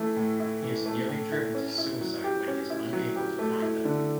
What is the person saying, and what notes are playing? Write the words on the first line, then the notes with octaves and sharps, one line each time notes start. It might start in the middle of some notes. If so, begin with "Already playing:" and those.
He is nearly driven to suicide when he is unable to find them.
Already playing: E3 A3
A2
E4
E3
A3
A2
E4
C#4
E4
F#3
G4
C#4
E4
F#3
G4
A3
E4
D3